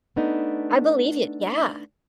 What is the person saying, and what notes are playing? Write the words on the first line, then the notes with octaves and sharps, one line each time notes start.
I believe it, yeah.
A3 B3 D4 D#4